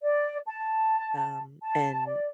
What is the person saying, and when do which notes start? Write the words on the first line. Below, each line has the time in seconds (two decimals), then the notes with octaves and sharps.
um, and
0.02 D5
0.46 A5
1.61 A5
2.06 D5